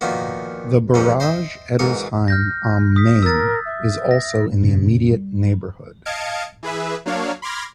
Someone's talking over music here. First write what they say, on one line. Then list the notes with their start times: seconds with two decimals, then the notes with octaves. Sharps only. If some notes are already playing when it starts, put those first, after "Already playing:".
The barrage Eddersheim am Main is also in the immediate neighborhood.
0.01 A#2 D#3 F3 B3 F#4
0.94 F2 G#2 C3 E3 C4 C#4
1.20 C5 D#5 E5 G5
1.79 B1 G#2 E3 A#4 C#6 D#6
2.28 F6 G6 A#6
2.96 D#6 B6
3.22 A#4 E6 A6
3.65 E5
4.11 A#6
4.62 F2 A#2 C#3
5.11 G3
6.05 D#5 F5 A5 G#6 C#7 D7
6.63 E3 G#4 B4 E5
7.06 F#3 A#3 D4 C#5 F5
7.42 B5 C6 D6 F6 G#6 A#6